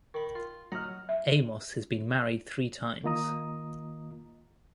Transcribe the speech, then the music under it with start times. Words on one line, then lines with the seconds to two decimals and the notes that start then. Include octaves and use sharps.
Amos has been married three times.
0.14 D#3 B5
0.35 F4
0.72 F#3 D#5 F#5 A#5 F6
1.09 E5
3.04 D#3 A#3 F4 D#5 A#5 D#6